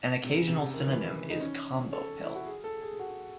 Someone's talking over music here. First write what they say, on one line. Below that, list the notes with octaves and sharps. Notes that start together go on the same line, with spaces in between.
An occasional synonym is "combopill".
C3
C#3
C3
C#3
D#3
E3
D#4
C#4
A4
E4
F#4
G#4
A4
G#4
G#4
F#4